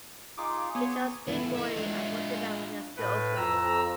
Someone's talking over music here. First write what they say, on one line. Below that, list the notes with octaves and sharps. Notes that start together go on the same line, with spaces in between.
He enjoys skateboarding and working out with his girlfriend.
D#4 F4 G#4 D6
B3 G#4 C#5
E2 A2 B3 E4 A4
D#4 G#4 E5
G#3 D4 F4
A2 B4
F2 A#5 E6